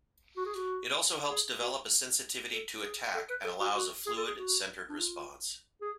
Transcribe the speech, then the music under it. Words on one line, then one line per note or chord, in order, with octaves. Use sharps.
It also helps develop a sensitivity to attack and allows a fluid, centred response.
F#4
G#4
F#4
G#4
F#4
A4
G#4
A4
B4
A4
F#4
F#4
G#4
A4
G#4
F#4
D4
F4
G#4